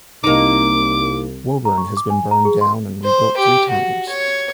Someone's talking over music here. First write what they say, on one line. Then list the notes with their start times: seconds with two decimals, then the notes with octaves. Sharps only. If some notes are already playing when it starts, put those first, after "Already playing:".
Woburn has been burned down and rebuilt three times.
0.24 C2 A#3 D#4 D6
1.65 A#5
1.78 C#6
1.97 D6
2.10 G#5
2.31 A#5
2.45 G#4
2.61 C6
3.04 C5
3.37 G4
3.70 F#4
4.09 C#5